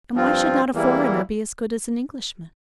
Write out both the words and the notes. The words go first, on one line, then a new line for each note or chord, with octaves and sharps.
And why should not a foreigner be as good as an Englishman?
G2 F3 C4 F4
E2 E3 G3 A#3 E4